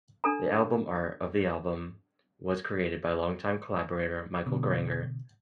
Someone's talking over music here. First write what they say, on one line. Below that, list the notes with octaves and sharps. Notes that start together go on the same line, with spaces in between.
The album art of the album was created by long-time collaborator Michel Granger.
D4 A4 A#5
B2 D3